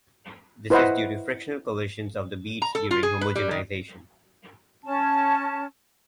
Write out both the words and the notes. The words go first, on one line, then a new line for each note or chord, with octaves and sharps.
This is due to frictional collisions of the beads during homogenization.
E4 B4 C5 D#5 E5 F#5
A#5
A4
F4
G#4
B4
G3
D#3
C#4 A5